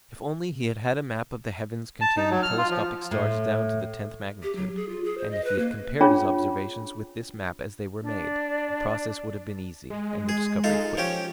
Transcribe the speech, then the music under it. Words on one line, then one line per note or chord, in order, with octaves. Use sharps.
If only he had had a map of the heavens containing telescopic stars down to the tenth magnitude, and if he had compared his observations with this map as they were made, the process would have been easy, and the discovery quick.
A5
D#4
F#3
F6
F4
F3
A2
G4
F#3
G#4
F4
G#4
C5
D#5
B4
A#3
C#4 D4 F4 G#4 C#5
D4 D5
G#3
G#4
D#4 F4 A4
F3 C#4 G4